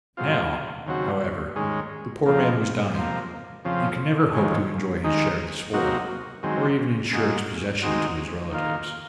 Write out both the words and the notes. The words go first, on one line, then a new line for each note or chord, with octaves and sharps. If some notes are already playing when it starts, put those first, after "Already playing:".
Now, however, the poor man was dying, and could never hope to enjoy his share of the spoil, or even insure its possession to his relatives.
G#2 F#3 C4 F4
D#2 C#3 F#3 C4 F#4
G#2 D#3 G#3 C#4
F2 C3 F3 A#3
C3 F3 A#3
F2 C#3 F3 C4
F2 D#3 G#3 C#4
D#2 D#3 G#3 D#4
C3 F#3 A#3 D#4 F#4
F#2 D#3 G#3 C4
A#2 G#3 D#4 F#4
D#3 G#3 C4 D#4 F#4
D#3 A#3 F4